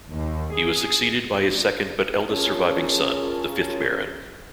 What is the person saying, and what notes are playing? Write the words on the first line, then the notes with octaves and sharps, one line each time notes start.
He was succeeded by his second but eldest surviving son, the fifth Baron.
D#2
G#4
C#4 F4 G#4 A#4 C#5 A5